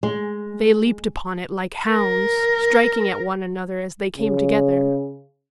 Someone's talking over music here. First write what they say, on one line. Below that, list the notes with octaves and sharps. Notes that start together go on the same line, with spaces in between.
They leaped upon it like hounds, striking at one another as they came together.
G#3
A#4
C#3